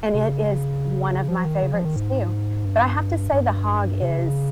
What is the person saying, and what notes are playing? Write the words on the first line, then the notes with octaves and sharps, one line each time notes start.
and it is one of my favorites, too, but I have to say the hog is
C3
C#3
F3
D#3
C#3
F3
D#3
G#2
G2
G2
C3
C#3
C3
C#3